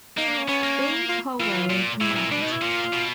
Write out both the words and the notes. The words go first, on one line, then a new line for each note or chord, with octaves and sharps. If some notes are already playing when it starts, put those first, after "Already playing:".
B. Colwell in command.
A#3 D#4
D4
C#4
B3 C#4
A#3
F4
E3 F4
A#2
A2 E4
A#2
B2 D4
D#4
E4
A#2 F4
B2